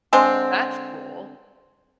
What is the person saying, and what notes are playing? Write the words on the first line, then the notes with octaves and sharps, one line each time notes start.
That's cool.
D3 G#3 C4